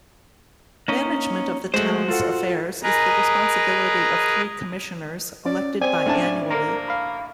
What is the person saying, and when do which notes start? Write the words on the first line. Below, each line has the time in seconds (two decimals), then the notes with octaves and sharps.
Management of the town's affairs is the responsibility of three Commissioners, elected biannually.
0.88 A#3 C#4 D#4
1.74 G#3 A3 F#4 C5
2.08 F4 A4 F#5
2.83 G#4 A#4 B4 D#5 A#5
5.46 C#4 D5
5.81 C4 C5 D5 G#5
6.06 A1 D4 A5
6.51 A#3 A#4 A#5
6.88 F5 B5